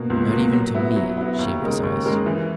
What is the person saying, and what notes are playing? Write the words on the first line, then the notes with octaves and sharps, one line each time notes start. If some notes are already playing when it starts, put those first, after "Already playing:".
"Not even to me," she emphasized.
Already playing: B2 A#3
C#2
B2 A#3
F#3
B3 E4
F#3
B3 E4
D#2
C#3 G#3 D#4 A#4
D#2
C#3 G#3 D#4 A#4
E3